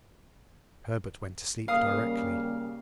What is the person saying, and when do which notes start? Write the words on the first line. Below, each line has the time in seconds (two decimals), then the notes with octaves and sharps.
Herbert went to sleep directly.
1.68 C#3 G3 A#3 F5 D#6